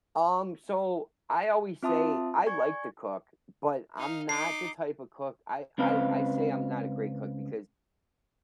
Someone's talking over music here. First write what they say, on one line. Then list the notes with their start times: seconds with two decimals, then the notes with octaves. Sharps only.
Um, so I always say I like to cook, but I'm not the type of cook I I I say I'm not a great cook because
1.83 C4 F4 E5 A5 C6 D#6
2.46 D5 G#5 C#6 G#6
3.98 D#4 F5
4.29 D#4 D6 C7
5.78 C#2 C4 B4 F5